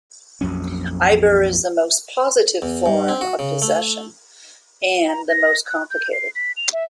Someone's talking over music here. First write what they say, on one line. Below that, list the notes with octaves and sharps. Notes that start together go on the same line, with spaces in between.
"Ibbur" is the most positive form of possession, and the most complicated.
A#1 F2 F#3 C#4
E2
G2
C4
F#4
C#3
A3
A#5
A#6
F#6
G6
C7
B6
F7
E5